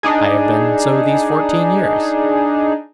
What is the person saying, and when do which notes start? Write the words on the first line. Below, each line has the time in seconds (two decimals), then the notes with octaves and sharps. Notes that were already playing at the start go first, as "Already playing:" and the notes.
"I have been so these fourteen years."
0.03 D4 D#4 G#4